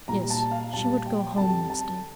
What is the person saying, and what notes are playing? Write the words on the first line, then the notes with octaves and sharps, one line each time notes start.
Yes, she would go home next day.
A#2 G3 A#5
A5
F5
A#2 G3 A5
G5
F2 D3 G3 A5
A5